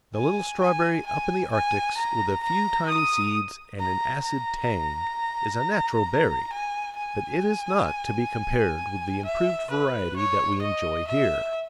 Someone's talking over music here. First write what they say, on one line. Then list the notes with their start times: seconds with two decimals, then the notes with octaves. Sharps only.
The little strawberry up in the arctics with a few tiny seeds and an acid tang is a natural berry, but it is not to be compared with the improved variety that we enjoy here.
0.15 G#5
0.61 G#5
1.06 G#5
1.52 G#5
1.98 A#5
2.43 A#5
2.88 D#6
3.80 A#5
4.24 A#5
6.52 G#5
6.97 G#5
9.25 E5
9.71 B4
10.17 C#5
10.62 D#5
11.08 E5